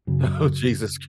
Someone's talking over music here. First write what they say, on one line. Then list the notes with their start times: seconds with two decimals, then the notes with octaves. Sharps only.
Oh, Jesus.
0.07 F#2 C#3